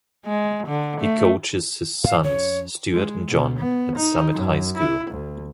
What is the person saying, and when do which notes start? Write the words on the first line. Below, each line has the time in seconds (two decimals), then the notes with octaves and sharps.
He coaches his sons, Stuart and John, at Summit High School.
0.25 G#3
0.67 D3
1.01 A3
2.04 G#2 F5
2.24 F2 F3 C#4 C#5
2.93 G#3
3.28 B2
3.59 B3
3.96 D#4
4.33 F#2
4.77 E4
5.11 D2